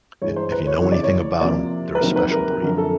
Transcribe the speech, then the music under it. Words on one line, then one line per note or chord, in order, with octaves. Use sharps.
I if you know anything about 'em, they're a special breed.
G2 E3 G#3 C#5
C5
B4
C#5
F2 C#3 E3 C#5
D5
C#5
C3 F3 A#3 D5
B4
F2 C3 D#3 F#3 A#3 A#4
B4
A#4
F#2 D3 F3 A#4
A4